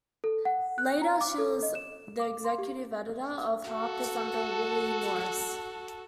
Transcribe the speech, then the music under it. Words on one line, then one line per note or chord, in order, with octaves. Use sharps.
Later she was the executive editor of "Harper's" under Willie Morris.
A4
F#5
F#6
A#5
D6
A4
D#5
E7
D6
C6
G4
F#4 A4